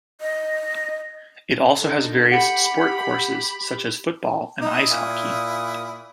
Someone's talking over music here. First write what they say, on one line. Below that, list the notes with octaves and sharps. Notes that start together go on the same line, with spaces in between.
It also has various sport courses such as football and ice hockey.
D#5
D3 D#4
G4 F#5 B5 C#7
D#4 E4 D#6
A#2